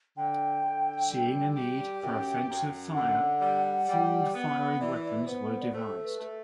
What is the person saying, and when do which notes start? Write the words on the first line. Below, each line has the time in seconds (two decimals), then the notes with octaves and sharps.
Seeing a need for offensive fire, forward-firing weapons were devised.
0.17 D3 G5
0.64 D3
1.10 G3
1.56 G4
2.02 F#2 G5
2.49 F#2
2.95 D3 F#5
3.41 G3
3.88 G3
4.34 B3
4.80 E3 D5
5.04 D5
5.26 B3 C5
5.50 C5
5.62 D5
5.73 A3 C5
6.04 B4
6.19 A3